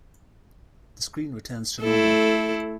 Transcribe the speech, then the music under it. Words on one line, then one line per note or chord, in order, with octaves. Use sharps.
The screen returns to normal.
A3 E4 A4